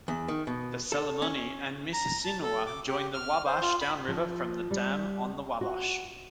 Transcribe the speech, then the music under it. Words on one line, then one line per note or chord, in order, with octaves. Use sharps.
The Salamonie and Mississinewa join the Wabash downriver from the dam on the Wabash.
E2
D#3
B2
A4
C#4
A#5
A5
A4
D6
G4
F6
C5
F4
B5
F3
G3
F#4